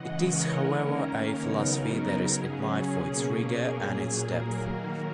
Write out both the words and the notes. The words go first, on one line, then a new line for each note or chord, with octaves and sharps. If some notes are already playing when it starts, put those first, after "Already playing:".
It is however a philosophy that is admired for its "rigor" and its "depth".
Already playing: C#3 E3 G#3 D#5 F#5
A#4 C#5
D#3 A#3 C#4 A#4
A#4
C#3 F#3 B3 D#4
C#3 F#3 C#4 G#4
B2 A#3 C#4
A#4
A#2 F#3 A#3 G#4
A#4
D#3 F#3 A#3